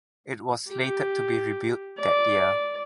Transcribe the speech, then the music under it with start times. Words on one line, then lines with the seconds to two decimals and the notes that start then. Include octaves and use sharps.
It was slated to be rebuilt that year.
0.70 G4
1.99 D5